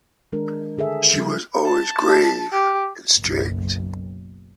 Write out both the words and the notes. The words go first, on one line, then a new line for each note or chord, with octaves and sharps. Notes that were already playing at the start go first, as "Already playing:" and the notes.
She was always grave and strict.
D#3 G#3 D4 A#4
D3 G#4 A4 E5
C#3 F3 G3
A5
G4
F#1 B1